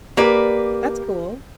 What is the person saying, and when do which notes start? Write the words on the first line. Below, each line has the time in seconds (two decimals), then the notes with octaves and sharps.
That's cool.
0.17 A#3 G4 A#4 B4 D5